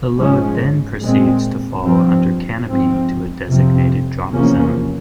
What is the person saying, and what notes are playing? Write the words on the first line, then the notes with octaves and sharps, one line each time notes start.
The load then proceeds to fall under canopy to a designated drop zone.
G#2 F3 G#3 C#4
A#2 G#3 C4
G2 F3 C4
G#2 F3 C4
F2 C3 F3 C4
E2 C3 F3 A#3 C#4